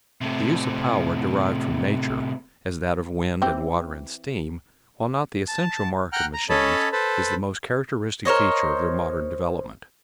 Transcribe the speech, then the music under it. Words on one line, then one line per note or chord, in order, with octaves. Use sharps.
The use of power derived from nature, as that of wind and water and steam, while not the essential mark of machines, is the most characteristic feature of their modern development.
A2 C3
E3 C4 G4
A5
F#5 G5 A#5 F6 F#6
A#5
C#4 A4 C#5 D#5 A5 B5
A4 B4 C5 A5 B5
A#4 C5 C#5 D#5